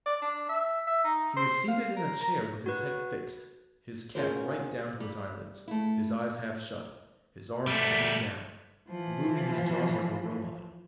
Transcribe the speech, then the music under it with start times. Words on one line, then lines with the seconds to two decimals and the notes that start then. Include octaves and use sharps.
He was seated in a chair with his head fixed, his cap right down to his eyelids, his eyes half shut, his arms hanging down, moving his jaws like a robot.
0.06 D5
0.22 D4
0.49 E5
0.87 E5
1.04 D#4
1.36 C5
1.68 F5
1.97 A#4
2.21 A#5
2.66 F#4 B4
4.15 C#4 F4 F#4 G#4 A#4 C5
5.00 G3
5.67 A3 E4
7.67 G3 A3
8.89 E3 F3